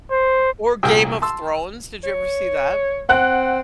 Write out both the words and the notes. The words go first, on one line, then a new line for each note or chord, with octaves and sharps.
Or Game of Thrones? Did you ever see that?
C5
C2 A#2 A#3 G#4 G5 E6
A5 C6 E6
C#5
C4 F#5 F#6